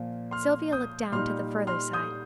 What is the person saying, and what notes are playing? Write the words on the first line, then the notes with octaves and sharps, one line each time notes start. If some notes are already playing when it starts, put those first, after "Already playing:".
Sylvia looked down to the further side.
Already playing: A#2 F3 A#3
C6 F6
D#6 G6
A#2 G3 D#4 C6 F6
C6 F6
D#6 G6